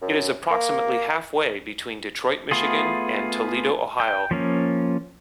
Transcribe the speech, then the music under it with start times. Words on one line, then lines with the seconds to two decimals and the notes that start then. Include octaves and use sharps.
It is approximately halfway between Detroit, Michigan, and Toledo, Ohio.
0.02 F#2
0.50 A#3
2.51 A3 B3 F4 G#4
4.00 G5
4.31 F3 A#3 C#4